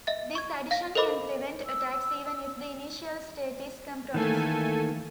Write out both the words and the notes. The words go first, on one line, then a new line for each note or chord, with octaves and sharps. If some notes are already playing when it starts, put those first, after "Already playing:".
This addition can prevent attacks even if the initial state is compromised.
D#5 E5 A6
C#6 G#6
F5 A#6
A4 A#4 C5 D#5 B5 D6
E6
D#3 E3 A3 A#3 A4 G#5